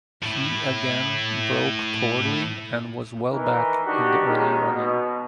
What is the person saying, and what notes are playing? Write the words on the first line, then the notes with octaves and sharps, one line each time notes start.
He again broke poorly and was well back in the early running.
A2 E4
D#3 E3 A#4
D4 D#4 F#4 G4
D#3 G#3 A#3 C#4 D#4 G#4
B2